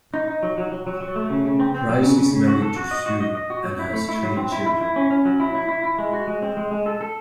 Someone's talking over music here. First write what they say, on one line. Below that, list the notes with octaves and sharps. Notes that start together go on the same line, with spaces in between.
Price is married to Sue and has three children.
D#4
D#4
F#3
F#3
F#3
F#3
F#3
A3
C#3
C#3
C4
C4
F#3
C#3
C#3
C#3
F#4
A4
F#4
D#5
F#4
D#5
D#5
F#4
F#3
E4
A3
E4
F#3
C4
E4
E4
E4
C#4
C#4
F#3
E4
E4
E4
E4
G#3
F#4
G#3
C4
G#3
G#3
A4
A4